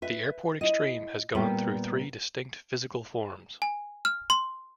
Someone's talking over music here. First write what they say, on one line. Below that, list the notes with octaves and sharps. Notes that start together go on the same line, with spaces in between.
The AirPort Extreme has gone through three distinct physical forms.
B4 E5
E4 D#5
A#2 G3 B3 G4 B4
G#5
F6
C6